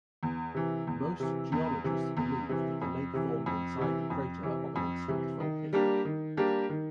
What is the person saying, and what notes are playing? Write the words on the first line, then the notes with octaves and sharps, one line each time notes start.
Most geologists believe that the lake formed inside the crater of an extinct volcano.
E2
C3 E3
E2
C3 E3
E2
C3 E3
E2
C3 E3
F2
C3 E3
F2
C3 E3
F2
C3 E3
F2
C3 E3
D#3
G3 A#3 D4 G4
D#3
G3 A#3 D4 G4
D#3